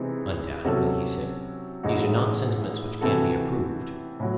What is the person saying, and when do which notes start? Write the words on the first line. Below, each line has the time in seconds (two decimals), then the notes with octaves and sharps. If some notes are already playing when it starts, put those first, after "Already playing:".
Undoubtedly, he said, these are not sentiments which can be approved.
Already playing: C3 E3 G#3 C4 D#4
0.65 C3 F#3 C#4 F#4 A4
1.83 A1 A2 G#3 D#4 F#4
3.01 C3 E3 C4 F#4 A4
4.20 A2 F#3